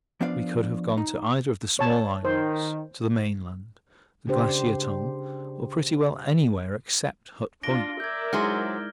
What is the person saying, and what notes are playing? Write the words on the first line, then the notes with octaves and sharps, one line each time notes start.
We could have gone to either of the small islands, to the mainland, the Glacier Tongue, or pretty well anywhere except Hut Point.
F3 B3 D4 D5 F5
D#4
C#5 A5
D#3 C5
C#3 D4 G4 C5
D4 F4 A#6 D7 G7
A#4 D5 E5 G6 G#6
F#3 G#3 D#4 E4 G#4 C5 F6 G7